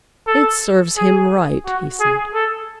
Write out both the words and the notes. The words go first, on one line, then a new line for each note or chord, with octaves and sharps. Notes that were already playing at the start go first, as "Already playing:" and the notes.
"It serves him right," he said.
A4
G#4
F#4
G#4
A4